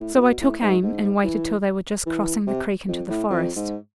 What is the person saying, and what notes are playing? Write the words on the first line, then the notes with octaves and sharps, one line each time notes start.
So I took aim and waited till they were just crossing the creek into the forest.
A2
A2
B2
A2
G#2
G#2
E3
E3
C3
F2
A2
F2
G#2